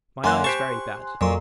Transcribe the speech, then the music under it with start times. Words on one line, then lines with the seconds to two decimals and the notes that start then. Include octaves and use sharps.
My eye is very bad.
0.24 F#2 A#3 G#5 C6 F#6
0.44 G4 C5 A5 C#6
1.21 F2 A#2 F#3 C6